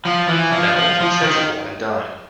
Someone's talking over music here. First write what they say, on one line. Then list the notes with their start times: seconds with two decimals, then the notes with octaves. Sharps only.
Now let us be sensible and dine.
0.05 F3
0.28 E3
0.52 F3
0.76 F3
1.00 F3
1.23 D#3